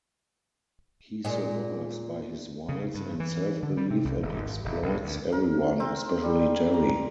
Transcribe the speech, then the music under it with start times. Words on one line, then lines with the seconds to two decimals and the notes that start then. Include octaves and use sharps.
He survives by his wiles and self-belief, and exploits everyone, especially Terry.
1.25 A#2 G#3
2.69 C#3
2.95 G2
3.20 E3
3.63 D3
3.77 G3
3.91 C3
4.05 C2
4.22 D#1
4.36 G#1
4.65 E1
4.83 B1
5.04 D2
5.32 A#4
5.80 C4
6.23 G3
6.74 A#5